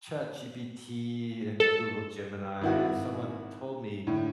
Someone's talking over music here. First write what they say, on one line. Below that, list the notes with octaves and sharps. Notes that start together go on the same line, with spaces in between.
ChatGPT and Google Gemini, someone told me
A4
G#1 E4 F#4
A2 D3